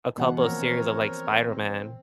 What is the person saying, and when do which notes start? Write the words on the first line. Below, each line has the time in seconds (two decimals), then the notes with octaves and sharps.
a couple series of like Spider-Man.
0.18 B2 E3 F#5
0.38 F3 A#3 C4 C#4 A#4 C#5
1.44 C4